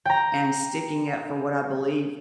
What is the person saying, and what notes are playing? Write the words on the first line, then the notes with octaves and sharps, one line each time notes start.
and sticking up for what I believe
G5 A#5